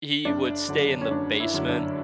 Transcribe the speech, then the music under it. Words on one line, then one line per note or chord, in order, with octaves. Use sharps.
he would stay in the basement
F#1 D4
F#2 D3
C#4
F#1 D4
E4
F#2 D3
D4